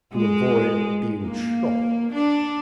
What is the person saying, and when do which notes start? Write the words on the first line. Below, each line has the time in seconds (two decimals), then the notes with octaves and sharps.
"To avoid being shot."
0.12 G#3
1.23 A#3
2.12 D4